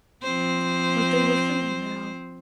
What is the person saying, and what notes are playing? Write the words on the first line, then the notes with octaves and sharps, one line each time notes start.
But they were fading now.
F3 C4 C5